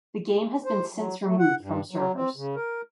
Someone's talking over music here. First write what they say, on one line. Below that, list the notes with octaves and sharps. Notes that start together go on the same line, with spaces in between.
The game has been since removed from servers.
C5
F#3
A3
F#5
G2
F#3
C4
C#3
A#4